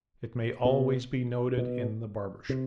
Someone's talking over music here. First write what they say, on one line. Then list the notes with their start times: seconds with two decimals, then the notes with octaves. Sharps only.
It may always be noted in the barber shops.
0.65 B2
1.58 B2
2.49 C3